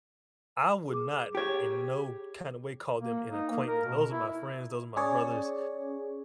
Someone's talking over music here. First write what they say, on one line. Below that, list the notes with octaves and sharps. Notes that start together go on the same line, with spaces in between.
I would not, in no kinda way, call them an acquaintance, those are my friends, those are my brothers,
G#4 D6
G4 C#5
A#3
D#4
A#3
A#4
B2
E4
C#4 G#4 C#5 D5